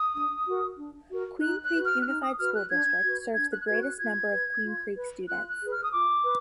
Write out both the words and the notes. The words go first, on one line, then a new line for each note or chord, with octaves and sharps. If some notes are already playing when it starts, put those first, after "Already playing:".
Queen Creek Unified School District serves the greatest number of Queen Creek students.
Already playing: D#6
D4
F#4 A#4
D4
F#4 A#4
D#4 F#6
F#6
F#4 B4
F6
F#6
D#4 F6
D#6
F#4 B4 F6
F#6
D4 G#6
F#4 B4
D4 G#6
F#6
F#6
F#4 B4 G#6
F#6
F4 G#6
B4
F4
B4
F4 F#6
F#6
G#4 B4
F6
D#6
F4 D6
B4